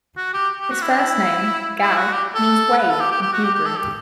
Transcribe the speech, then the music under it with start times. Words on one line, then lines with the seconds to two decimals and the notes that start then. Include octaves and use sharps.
His first name, Gal, means "wave" in Hebrew.
0.17 F#4
0.34 G4
0.60 G4
0.71 F#4
0.82 E4
0.90 D4
0.98 E4
1.80 E4
1.97 F#4
2.13 G4
2.35 A4
2.78 B4
2.89 A4
3.00 G4
3.11 G4
3.22 G4
3.33 F#4
3.44 G4
3.55 G4
3.66 A4
3.76 G4